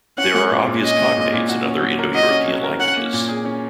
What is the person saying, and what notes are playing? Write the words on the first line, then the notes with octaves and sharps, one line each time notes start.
There are obvious cognates in other Indo-European languages.
C#4 F#5
G#3
A#2
A#2
C#4 D#5
G#3
A#2
A#2
F#4
C#4
F#3
A#4
F#4 D#5
C#4
F#3
A#4
C#4 F#5
A#3
A#2
G#4
C#4